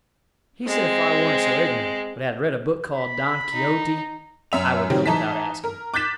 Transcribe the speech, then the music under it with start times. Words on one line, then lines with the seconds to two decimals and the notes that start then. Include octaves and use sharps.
He said if I warn't so ignorant, but had read a book called Don Quixote, I would know without asking.
0.66 G#3 C4
2.95 B5
3.53 D#4
4.52 F#2 E5 F7
4.90 D#3 F#3 G3 C4
5.06 E3 D#4 A5 A#5 B6
5.64 A#4
5.94 D6 F#6 G6 A6 B6 E7